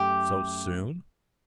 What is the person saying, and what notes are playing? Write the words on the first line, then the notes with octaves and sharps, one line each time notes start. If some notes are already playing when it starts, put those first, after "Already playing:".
"So soon?"
Already playing: F#2 A3 G4